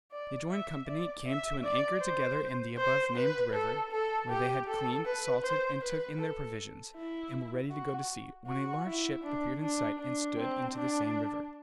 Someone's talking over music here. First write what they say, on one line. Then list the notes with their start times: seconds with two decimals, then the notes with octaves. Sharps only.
They joined company, came to an anchor together in the above named river, where they had cleaned, salted and took in their provisions, and were ready to go to sea, when a large ship appeared in sight, and stood into the same river.
0.12 D5
0.50 E5
0.88 D5
1.25 E5
1.63 D5
2.01 C5
2.77 C5
3.15 B4
3.53 A4
3.92 A4
4.29 G4
4.67 A4
5.05 B4
5.43 C5
5.82 B4
6.19 A4
6.95 E4
7.71 F#4
8.47 F#4
8.85 E4
9.23 D4
9.61 D4
9.99 D4
10.37 C4
10.75 D4